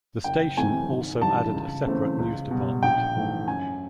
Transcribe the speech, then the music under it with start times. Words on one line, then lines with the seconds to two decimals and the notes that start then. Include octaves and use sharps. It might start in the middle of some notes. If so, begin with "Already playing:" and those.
The station also added a separate news department.
0.24 F#1 G5
0.57 F2 C3 E3 A3 G#5
0.89 G#1
1.21 G2 E3 G3 A5
1.54 C#2
1.86 C#3 E3 A3 C4
2.18 C#2
2.51 B2 G3
2.83 A#1 G5
3.15 G#2 E3 A3
3.47 F#2 G#5